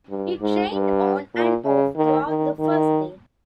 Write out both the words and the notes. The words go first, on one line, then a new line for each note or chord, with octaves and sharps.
It rained on and off throughout the first day.
G2
G#2
G2
A#2
C#3
D#3
D#3
D#3